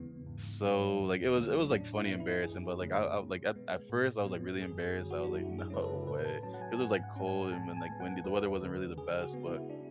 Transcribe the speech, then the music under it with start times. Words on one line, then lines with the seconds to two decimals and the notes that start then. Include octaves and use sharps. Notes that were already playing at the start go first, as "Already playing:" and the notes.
so like, it was it was, like, funny embarrassing, but, like, I I, like, at at first I was, like, really embarrassed. I was, like, "No way." 'Cause it was, like, cold and then like, windy, the weather wasn't really the best, but
Already playing: E2 C#3 E3 G#3 B3
0.26 G#2
0.63 F#3 C#4
0.99 E2
1.35 D3 F#3 A3 C#4
1.71 A2 D4
1.95 E4
2.08 E3 B3
2.20 E4
2.43 F#2 G#4
2.81 D3 A3 C#4
3.16 B2
3.53 G#3 B3
3.89 A2
4.25 F#3 B3
4.62 F#2 G#4
4.98 D3 F#3
5.11 F#4
5.23 D4
5.34 F#2 E4
5.58 G#4
5.70 C#3 G#3 C#4 B4
5.82 A4
6.07 A2 B4
6.25 A5
6.43 F#3 C#4 A5
6.54 F#5
6.61 G#5
6.79 G#2 F#5
7.03 F#5
7.16 G#3 C#4
7.27 G#5
7.51 A2 A5
7.77 G#5
7.88 G#3 B3
8.00 F#5
8.24 E2 B4
8.60 D3 G#3
8.97 C#3 G#4
9.22 F#4
9.33 G#3 B3
9.46 E4
9.70 D4